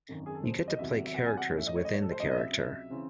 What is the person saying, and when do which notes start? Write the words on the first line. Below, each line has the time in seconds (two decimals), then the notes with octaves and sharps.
You get to play characters within the character.
0.09 G#1 F#2 D#3
0.26 G#4
0.35 A4
0.44 C5
0.68 D#5
0.79 E2 C3 D#3 F#3 E5
1.06 E5
1.14 F#5
1.26 G#5
1.38 F#5
1.49 A2 E3 A3 C#4
1.58 E5
1.67 D#5
1.76 C#5
1.85 D#5
1.93 C#5
2.02 A4
2.12 C5
2.20 C#2 C3 F#3 D#5
2.31 D#5
2.37 E5
2.90 C#3 E3 C4